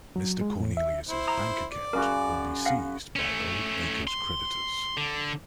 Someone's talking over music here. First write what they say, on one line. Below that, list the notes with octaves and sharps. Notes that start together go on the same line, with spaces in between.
"Mr. Cornelius"'s bank account will be seized by Oldacre's creditors.
F#3
G#3
A2
E5
E4 C5
A#5 D#6
D5
F#2 C#3 F#4 A#4
F5 F#5 A#6
A3 C#4
C6
D3